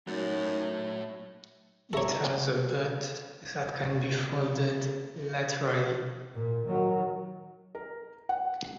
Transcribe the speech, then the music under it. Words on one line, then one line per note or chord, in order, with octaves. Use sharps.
It has a butt that can be folded laterally.
F#2 F#3 A3 D#4 C#5
G4 A4 C#5 E5 A#5
A#2
D#3 F#3
A#4
F#5